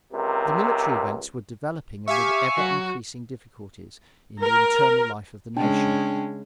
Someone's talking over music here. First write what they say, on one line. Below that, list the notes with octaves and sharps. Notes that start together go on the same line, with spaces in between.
The military events were developing amid ever increasing difficulties in the internal life of the nation.
C#2 C3 A#4
G4 E5 F5 G#5 C#6
F#3 F#4
A#4
C#3 G#3 C#4 D4 G5 A5